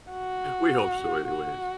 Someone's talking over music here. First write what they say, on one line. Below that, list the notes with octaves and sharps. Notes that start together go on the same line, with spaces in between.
We hope so anyways.
F#4
F#4